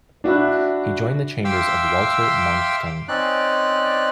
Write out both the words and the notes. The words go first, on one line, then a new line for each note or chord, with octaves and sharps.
He joined the chambers of Walter Monckton.
D4 F#4 E5 B5
E5 F5 G5 C6 D6 E6
C4 C#4 D#4 D5 F#6